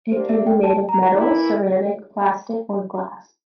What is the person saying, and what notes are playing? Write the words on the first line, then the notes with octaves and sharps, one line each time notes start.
It can be made of metal, ceramic, plastic, or glass.
A#3 D4 G4 C5
E5
G5
A5
A#5
E3 A#3 E4